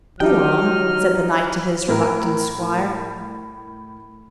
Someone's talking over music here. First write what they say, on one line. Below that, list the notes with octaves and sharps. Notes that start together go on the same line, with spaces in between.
"Go on!" said the knight to his reluctant squire.
E3 F#3 D4 D#4 G4 G5 F6
A2 A#4